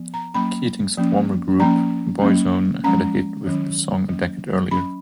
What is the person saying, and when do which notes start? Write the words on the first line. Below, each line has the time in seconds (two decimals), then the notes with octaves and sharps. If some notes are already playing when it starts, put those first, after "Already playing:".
Keating's former group, Boyzone, had a hit with the song a decade earlier.
Already playing: F3 B3
0.14 A#5
0.34 F#3 A#3 C#4 B5
0.97 F3 A#3 C#4
1.59 F3 A#3 C#4 A#5
2.22 F#3 A#3 C#4
2.84 F3 G#3 C#4 A#5
3.46 D#3 F#3 C#4
4.09 F#3 A#3 C#4
4.71 F#3 C#4 B5